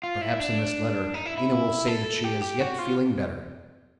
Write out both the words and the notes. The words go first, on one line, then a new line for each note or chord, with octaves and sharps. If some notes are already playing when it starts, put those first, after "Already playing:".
Perhaps in this letter Lena will say that she is yet feeling better.
F4
E4
D4
D#4
E4
E4
A4
G4
G4
F#4
F4